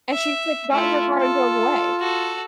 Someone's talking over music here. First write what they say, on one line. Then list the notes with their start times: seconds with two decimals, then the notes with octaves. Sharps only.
And she's, like, got in her car and drove away.
0.10 E5
0.71 A3 E4 F4
1.20 A4
2.01 F#4 A4